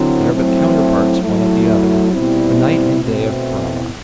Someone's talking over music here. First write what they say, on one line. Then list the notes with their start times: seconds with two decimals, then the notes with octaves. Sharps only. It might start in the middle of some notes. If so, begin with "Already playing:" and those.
They are but counterparts one of the other,--The Night and Day of Brahma.
Already playing: D3 F#3 C4 E4
0.33 F#3 A3 C4 E4
1.22 F#3 A3 E4
2.12 B2 G3 C4 E4
3.01 B2 A3 C4 E4